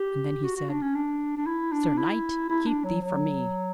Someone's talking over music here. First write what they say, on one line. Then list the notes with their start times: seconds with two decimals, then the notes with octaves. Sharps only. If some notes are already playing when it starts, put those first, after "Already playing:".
And then he said: Sir knight, keep thee from me.
Already playing: G4
0.43 F#4
0.57 F#4
0.69 D4
0.82 C#4
0.95 D4
1.37 D4
1.46 E4
1.72 D4
1.98 E4
2.49 E4
2.67 D4
2.84 F#3
3.02 F#3